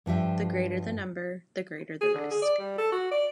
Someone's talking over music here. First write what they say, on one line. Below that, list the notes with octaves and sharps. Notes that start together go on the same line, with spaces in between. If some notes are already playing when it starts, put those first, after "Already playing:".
The greater the number, the greater the risk.
G2 F3 G4 E5
G#4
D3
G#4
D5
G3
A4
F#4
D5